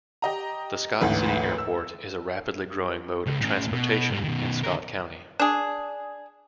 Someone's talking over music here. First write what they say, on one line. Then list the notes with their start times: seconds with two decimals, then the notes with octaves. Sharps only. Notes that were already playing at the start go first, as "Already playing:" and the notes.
The Scott City Airport is a rapidly growing mode of transportation in Scott County.
0.22 G4 D#5 A#5
1.00 A1 D2 G#2 E3 B4
1.58 E6
3.26 C#2
3.40 A2 C#4
3.72 B2
4.10 G#2 G3
4.24 B2 D#3
4.63 D3 A#4
5.40 D4 G#4